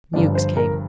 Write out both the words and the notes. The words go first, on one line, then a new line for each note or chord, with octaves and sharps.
Mewks came.
G1 G2 F3 D5
C5
A#4